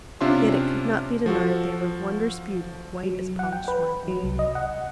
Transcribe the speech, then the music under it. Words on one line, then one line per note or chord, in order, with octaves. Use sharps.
Yet it could not be denied they were of wondrous beauty, white as polished marble.
C3 C#4 D4 F4 E5 C6
F3 F#4 A4
F#3
F#5
G5
B4
F#3
C2
D#5
F#5